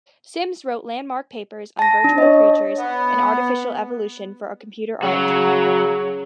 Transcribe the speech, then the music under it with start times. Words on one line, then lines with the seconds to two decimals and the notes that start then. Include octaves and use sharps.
Sims wrote landmark papers on virtual creatures and artificial evolution for computer art.
1.79 A5 A#6
2.04 D4
2.18 C#5 D#5
2.78 B3
5.03 C#3 F#3 F#4